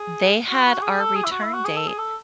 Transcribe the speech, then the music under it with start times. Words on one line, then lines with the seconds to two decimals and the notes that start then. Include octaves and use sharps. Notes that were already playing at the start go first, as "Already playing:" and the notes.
they had our return date
Already playing: G#4
0.49 F#4
0.66 F#4
0.82 G#4
0.99 A4
1.15 G#4
1.24 E4
1.31 F#4
1.43 E4
1.54 F#4
1.64 G#4
1.76 A4
1.87 G#4
1.98 A4